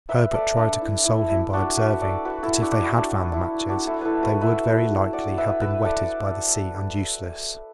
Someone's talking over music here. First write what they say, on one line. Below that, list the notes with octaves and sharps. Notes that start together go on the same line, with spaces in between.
Herbert tried to console him by observing, that if they had found the matches, they would, very likely, have been wetted by the sea and useless.
B4 E5
A4 D5
D4
E4
E4
E4
D4 F#4
F#4 B4
A4 D5
F#4 B4
E4 A4
D4 F#4
D4
E4
D4
E4
D4 F#4
E4 A4
E4 A4 B4
F#4 B4
B4 E5
D5 F#5
B4 E5
B4 E5
A4 D5